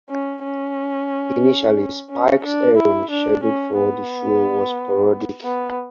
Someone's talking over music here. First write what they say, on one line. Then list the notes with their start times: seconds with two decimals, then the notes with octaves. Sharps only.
Initially, Spike's airing schedule for the show was sporadic.
0.10 C#4
0.44 C#4
2.10 C#4
2.44 D4
2.77 E4
3.10 D4
3.43 C#4
3.77 B3
5.44 B3